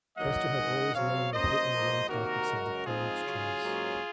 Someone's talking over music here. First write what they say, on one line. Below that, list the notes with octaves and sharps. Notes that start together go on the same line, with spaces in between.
Custer had always known the hit and run tactics of the plains tribes.
F#2 D#3 F#3 A#3 D#5 F#5
G#2 D#3 G#3 D#4
C#3 F#3 C4 C#5 F5
G#2 F#3 A#3 C#4 C5 D#5
G#2 F3 A#3
C3 D#3 A#3 F#4 A#4
F#2 C#3 G#3
G#2 F3 C4 D#4 F4 G#4
C#3 F#3 C#4
G#2 F#3 A#3 C#4